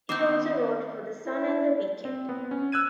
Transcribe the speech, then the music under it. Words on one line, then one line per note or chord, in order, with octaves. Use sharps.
He also wrote for the "Sun" and the "Weekend".
D#3 B3 C4 C5 D6 G6
E4
C4
B3
C#4
E6 F#6 G#6 D#7